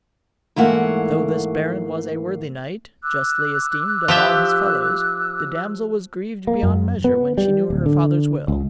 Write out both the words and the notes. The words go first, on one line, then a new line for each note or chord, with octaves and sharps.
Though this baron was a worthy knight, justly esteemed of all his fellows, the damsel was grieved beyond measure when she knew her father's will.
G#2 E3 A3 A#3 C#5 F#5
D6 E6 F#6
F3 G4 E5
A#3
F#2
B3
G3
D1
D3
C#2